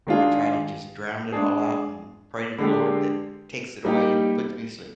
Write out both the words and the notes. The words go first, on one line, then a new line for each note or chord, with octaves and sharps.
I try to just drowned it all out and pray to the Lord that takes it away and puts me to sleep.
D#3 G#3 D4 F4 G#4
G#3 D4 G#4
D3 G#3 D4 G4
G3 A#3 D#4 G4